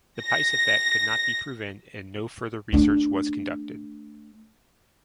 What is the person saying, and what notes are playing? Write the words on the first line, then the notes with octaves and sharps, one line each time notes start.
The "Pais Effect" could not be proven and no further research was conducted.
A#6
A3 D4